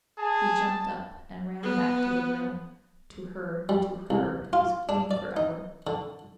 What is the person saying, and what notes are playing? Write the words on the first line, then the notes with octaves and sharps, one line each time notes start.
He jumped up and ran back to the room--to her, to her, his queen for ever!
G#4 A5
B3
G3
C2
F4
D4
D5
D#4
D3